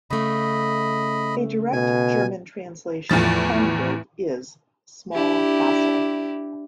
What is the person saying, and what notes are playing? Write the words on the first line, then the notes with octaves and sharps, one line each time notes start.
A direct German translation of Kleinburg is "small castle".
C#3 A3 D#5 B5
B2 G#5
E2 A2 F3 A6
D4 E4 G4